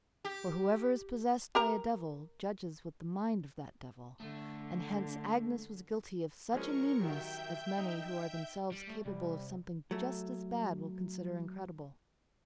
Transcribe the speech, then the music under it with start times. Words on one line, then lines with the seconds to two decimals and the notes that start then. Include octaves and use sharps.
For whoever is possessed by a devil, judges with the mind of that devil; and hence Agnes was guilty of such a meanness as many who are themselves capable of something just as bad will consider incredible.
0.25 G4
1.55 G4 A#4 A#5
4.20 D3 A3
6.53 F3 G#3 C#4 A#4 C#6
6.99 D#3 F#3 G3 E5 G5 G6
7.78 D#4
8.72 G3
8.87 A3
9.05 C2 G3
9.91 F#3 A3